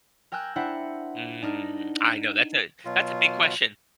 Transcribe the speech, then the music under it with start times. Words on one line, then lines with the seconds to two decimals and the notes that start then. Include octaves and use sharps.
Mm, I know that's a, that's a big question.
0.32 A#4 G5 G#5 E6 F#6 G6
0.56 D4 E4 C5 E5 F#5 G5
1.42 D4 D#4 A#4
2.85 B2 F#3 F4